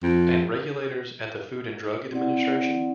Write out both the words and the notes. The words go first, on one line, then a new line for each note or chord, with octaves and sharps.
And regulators at the Food and Drug Administration?
F2
C4 E4 D5 F#5